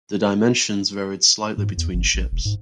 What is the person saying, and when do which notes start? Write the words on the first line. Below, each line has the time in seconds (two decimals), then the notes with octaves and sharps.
The dimensions varied slightly between ships.
1.58 G#2
1.77 E2
1.94 G1
2.14 A1
2.32 E1
2.45 G#2